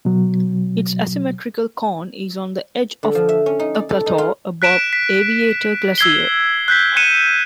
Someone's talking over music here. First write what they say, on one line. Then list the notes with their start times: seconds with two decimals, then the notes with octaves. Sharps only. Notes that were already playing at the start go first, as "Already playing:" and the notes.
Its asymmetrical cone is on the edge of a plateau above Aviator Glacier.
0.05 B2 F#3
3.03 D3
3.15 F3
3.29 E5
3.46 C#4
3.59 D#4
3.75 D5
3.89 A4
4.06 D#4
4.18 F4
4.62 F#6 B6 D7 E7
4.93 B6
5.98 E6 G#6 C7 G7
6.68 F#6 G6 B6
6.96 F#6 C#7 D#7 E7